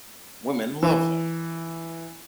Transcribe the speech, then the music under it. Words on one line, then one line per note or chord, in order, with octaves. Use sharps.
Women Love Him!
E3